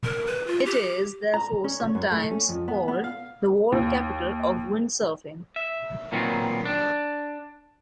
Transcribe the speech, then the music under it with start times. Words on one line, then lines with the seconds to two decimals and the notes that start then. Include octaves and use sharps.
It is therefore sometimes called "The World Capital of Windsurfing".
0.04 A#4
0.27 B4
0.47 F4
0.66 G4
1.34 A#5
1.64 C#4
1.80 C#5
1.95 F#2
2.12 A3
2.31 C#4
2.49 F2
2.68 B3
2.88 B3
3.04 F5
3.72 D#2
5.56 E5
6.12 A#2 D#3 F#3 B3 C4
6.65 D4